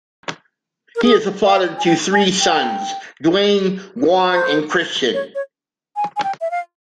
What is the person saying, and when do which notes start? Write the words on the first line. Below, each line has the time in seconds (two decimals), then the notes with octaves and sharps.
He is the father to three sons, Duane, Gawen and Christian.
0.96 A#4
1.03 G#4
1.44 F5
1.78 G#5
1.85 G5
2.13 G#5
2.41 G5
4.32 C5
5.14 C#5
5.35 C#5
5.96 G#5
6.16 G#5
6.24 G5
6.41 E5
6.51 F5